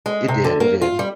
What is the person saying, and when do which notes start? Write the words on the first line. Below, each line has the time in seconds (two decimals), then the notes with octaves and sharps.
It did. It did.
0.06 G#3
0.28 C3
0.44 D3
0.60 A#3
0.82 F4
0.99 G3